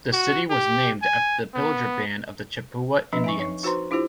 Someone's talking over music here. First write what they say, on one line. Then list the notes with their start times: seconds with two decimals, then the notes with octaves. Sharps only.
The city was named after the Pillager Band of Chippewa Indians.
0.12 F#4
0.50 G4
1.02 G#5
1.54 B3
3.13 F3 C4 D4 B4 D#5
3.24 E5 G#5 C#6
3.39 D#4 C#5 C#6
3.63 D#4 F#4 B4 C5 A#5 C6
3.91 D4 E4 F4 G4 C5